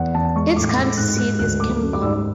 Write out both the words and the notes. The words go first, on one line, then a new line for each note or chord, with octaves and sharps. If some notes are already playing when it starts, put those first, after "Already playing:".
Its county seat is Kimball.
Already playing: E2 F#5
E2 A5
G#3 C#6
A2 D6
D6
G#3 E6
G#2 F#6
G#3 F#6
D2 F#6
A3 D6
F#2
D6
G#2 E6